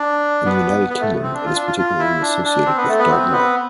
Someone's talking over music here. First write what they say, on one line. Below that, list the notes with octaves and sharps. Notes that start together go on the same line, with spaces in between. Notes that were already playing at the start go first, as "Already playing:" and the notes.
In the United Kingdom it is particularly associated with Dartmoor.
Already playing: D4
B3
B3
A3
C4
D4
F4
D4
F4
F4
E4
D4
D4
C4
B3
A3
B3
C4
B3